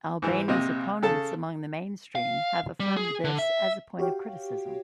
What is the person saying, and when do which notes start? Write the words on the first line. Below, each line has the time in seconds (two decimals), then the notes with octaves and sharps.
Albani's opponents among the mainstream have affirmed this as a point of criticism.
0.22 G#2 E3
0.48 A#1 C3 D#5
1.03 C#3 A4 A5
2.15 F5
2.80 G3
2.97 G#4
3.24 D3
3.39 E5
3.99 F#4 G4 C#5 F5 G5